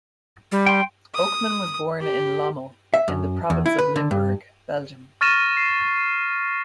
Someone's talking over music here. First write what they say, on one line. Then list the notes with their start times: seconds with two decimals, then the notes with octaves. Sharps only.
Oakman was born in Lommel, in the province of Limburg, Belgium.
0.52 G3
0.66 G5 C6
1.14 D#6
2.00 G4
2.94 E5
3.08 F#2
3.50 E2
3.66 E4
3.78 B4
3.96 D3
4.11 G2
5.21 C#6 F6 A6 A#6 D#7 E7
5.57 C7